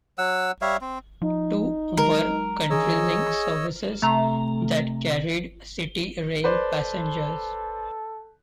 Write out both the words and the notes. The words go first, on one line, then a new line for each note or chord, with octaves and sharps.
Two were CountryLink services that carried CityRail passengers.
F#3 F#5 E6
G3 C#5 E5 F5
C4
F3 D#4
F#3 G#3 A#4
D#3 E3 D4 G#4 C#5 D#5 E6
C3 A3 A#5
A4 B4 C5 D5